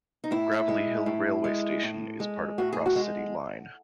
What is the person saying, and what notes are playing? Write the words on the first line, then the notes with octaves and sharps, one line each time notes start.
Gravelly Hill railway station is part of the Cross-City Line.
D#4
A2 E4
G#3
A2
G#3
A2
G#3
A2 F#4
G#4
F#4
G#3